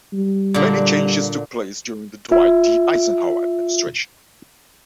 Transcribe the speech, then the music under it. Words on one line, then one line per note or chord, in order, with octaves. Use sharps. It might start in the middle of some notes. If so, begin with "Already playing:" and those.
Many changes took place during the Dwight D. Eisenhower administration.
G3
A#2 D3
F4 E5